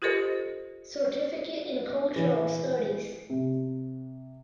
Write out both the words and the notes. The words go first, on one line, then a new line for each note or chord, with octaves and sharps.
Certificate in Cultural Studies.
F4 G4 A4 A#4 C5 D#5
E3
C3